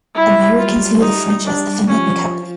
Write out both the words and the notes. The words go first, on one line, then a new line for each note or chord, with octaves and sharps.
Americans view the French as effeminate and cowardly.
G3 E4
F#3 F4
G3 D#4
D4
F3 C#4